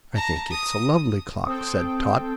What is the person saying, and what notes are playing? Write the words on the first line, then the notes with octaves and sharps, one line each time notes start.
"I think it's a lovely clock," said Tot.
A5 A#5
D#6
C4 A4 G5 D#6